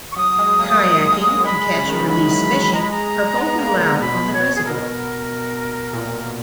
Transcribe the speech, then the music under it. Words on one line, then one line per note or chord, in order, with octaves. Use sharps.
Kayaking and catch-and-release fishing are both allowed on the reservoir.
C#6
F#3 D#6
G#3
A#3
A#3
G#3
G#3
G#3
F#3
G#3 B5
C#3
D#3
E3
F#3 B5
F#3
F#3
G#3 A#5
B5
A#5
B3
A#3
C#3
C#3
B2 B5
B2 C#5
G#4
B2 A#4
A#2